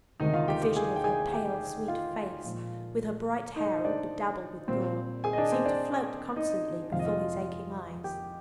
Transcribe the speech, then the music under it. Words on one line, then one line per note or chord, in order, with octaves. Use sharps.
A vision of her pale, sweet face, with her bright hair all bedabbled with gore, seemed to float constantly before his aching eyes.
D2 C3 D#3 G#3 D#4 D#5
F4 F5
G4 G5
G4 G5
G#4 G#5
G5
G#4 G#5
G4 G5
F4 F5
A#2 F3 G#3
D#4 D#5
C5
D4 D5
A#2 G3 A#3 C4 C5
G#4 G#5
D#5
D4 D5
C4 C5
D4 D5
D#4 D#5
F2 C3 F3 G#3 F5
D#5
F4 F5
G4 G5